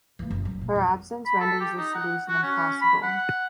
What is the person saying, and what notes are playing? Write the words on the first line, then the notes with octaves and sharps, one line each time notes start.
Her absence renders this solution impossible.
E3 A#3
F#1
F#3
A#2
F2
B5
A4
G4
D#4
F#5
F#4
C#4
B5
F#5